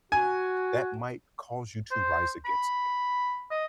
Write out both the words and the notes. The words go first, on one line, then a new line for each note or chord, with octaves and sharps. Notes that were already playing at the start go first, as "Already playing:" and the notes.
that might cause you to rise against me.
F#4 G#5
C5
B5
D#5